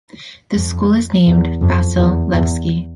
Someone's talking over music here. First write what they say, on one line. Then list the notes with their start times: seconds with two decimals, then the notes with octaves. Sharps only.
The school is named "Vasil Levski".
0.55 F2
1.27 E2
1.62 F2
1.98 E2
2.33 E2